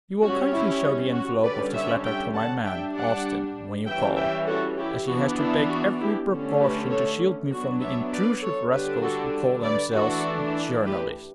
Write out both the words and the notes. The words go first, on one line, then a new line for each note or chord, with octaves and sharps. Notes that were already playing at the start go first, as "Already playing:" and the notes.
You will kindly show the envelope of this letter to my man, Austin, when you call, as he has to take every precaution to shield me from the intrusive rascals who call themselves 'journalists.'
G3 C#4 F#4
E4
F#4
D3 G3 C#4 B4 D5
C#5 E5
E5 G5
F#5 A5
G3 D4 E5 G5
D5 F#5
E3 G3 C#4 E5 G5
E5 G5
F#4 A4
E4 G4
E3 B3 D4 F#4
E4
F#4
E4 G4
D3 A3 C#4
G4 B4
A4 C#5
F#3 B3 D4 F#4
C#5 E5
B4 D5
A4 C#5
D3 G3 D4 G4 B4
F#4 A4
B4 D5
E3 A3 D4 F#4 A4
G4 B4